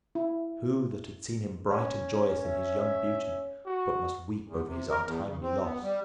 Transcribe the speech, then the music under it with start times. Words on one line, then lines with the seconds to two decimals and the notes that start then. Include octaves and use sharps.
Who that had seen him bright and joyous in his young beauty, but must weep over his untimely loss!
0.15 E4
1.71 C#4
2.45 E5
3.66 F#4
4.48 E2
4.67 C3
4.90 A#4
5.04 E2
5.26 C#3
5.42 C4
5.62 B3
5.83 G3